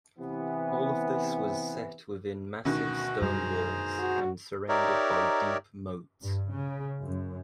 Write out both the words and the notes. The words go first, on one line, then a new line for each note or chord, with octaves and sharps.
All of this was set within massive stone walls and surrounded by deep moats.
C3 E3 B3
D2 B2 D#3 C#4 F#4
F#2 G3 G#4 C5 A#5
F#4
D#4 G4 A#4 C#5 D5 E5
G2
C#3
F#2